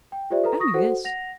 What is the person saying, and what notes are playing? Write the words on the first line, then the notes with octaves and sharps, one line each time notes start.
"Oh, yes."
G5
F4 G4 C5 D5 E5
A4 B4 A#5
C#6 D#6 A#6
F#4 A4 C5 F#5
F#5 A#6 F7